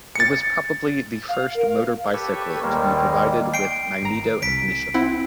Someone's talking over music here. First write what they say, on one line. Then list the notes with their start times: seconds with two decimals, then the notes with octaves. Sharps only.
It was probably the first motor bicycle to be provided with magneto ignition.
0.16 A6 C#7
1.28 F5
1.54 A#4
1.68 F5
2.13 G4 A4 B4 C#5 C#6 E6
2.62 D#2 D#3 G3 G#3 A#3
3.54 G5 C7 D7
4.02 G#1 A#5
4.42 C2 B6 D7
4.94 C4 E4 F#5